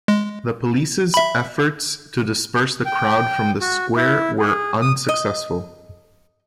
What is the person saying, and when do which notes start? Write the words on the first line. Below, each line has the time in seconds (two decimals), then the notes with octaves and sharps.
The police's efforts to disperse the crowd from the Square were unsuccessful.
0.08 G#3
1.14 E5 B5
2.85 G5
3.61 F#4
3.96 E4
4.39 G#4
4.82 D#6
5.09 D#5